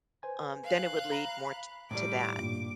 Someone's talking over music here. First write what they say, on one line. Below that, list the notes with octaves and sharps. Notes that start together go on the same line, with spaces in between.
um, then it would lead more t to that.
B4 C5 G#5
F5 F#6
A#5 B5
B5
A2 D#3 G3 D6
G2 A#2